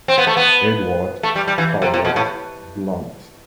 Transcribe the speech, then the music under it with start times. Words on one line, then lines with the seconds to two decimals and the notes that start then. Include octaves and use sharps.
Edward Powlett Blunt.
0.08 C4
0.18 B3
0.27 A3
0.37 B3
1.23 A3
1.36 G3
1.48 G3
1.58 E3
1.82 C3
1.94 C3
2.05 B2
2.16 A2